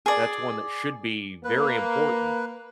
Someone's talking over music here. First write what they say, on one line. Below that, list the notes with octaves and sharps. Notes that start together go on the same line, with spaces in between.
that’s one that should be very important.
G#4 D5
A#3 B4